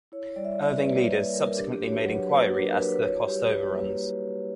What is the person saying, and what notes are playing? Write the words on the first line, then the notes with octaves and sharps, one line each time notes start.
Irving leaders subsequently made inquiry as to the cost overruns.
E4 C#5
G3 D5
E5
D5
G3 E5
B4
A#3 C#5
E4 B4
G3 A#4
A#4
D4 G4
G4
F#4
C#5
B4
F#3
C#5
A#3 B4
D4 A#4
A#4
F#4 B4
B4
E4 C#5
G3 G4
G3 B4
C#5
A#3 B4